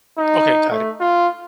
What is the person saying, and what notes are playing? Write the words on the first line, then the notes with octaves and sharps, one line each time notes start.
Okay, got it.
D#4
A3
F4